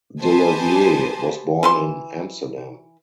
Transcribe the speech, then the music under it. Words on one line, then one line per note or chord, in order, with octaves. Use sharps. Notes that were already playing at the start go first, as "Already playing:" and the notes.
De Levie was born in Amsterdam.
G4 B4 C5 D#5 G#5 A5
E3 B4 C6